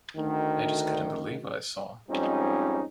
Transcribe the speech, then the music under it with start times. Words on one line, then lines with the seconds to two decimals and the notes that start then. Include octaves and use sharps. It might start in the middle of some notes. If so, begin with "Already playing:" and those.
I just couldn't believe what I saw.
0.17 D2 D#3
2.09 F2 G#2 F3 G3 C#4 D#4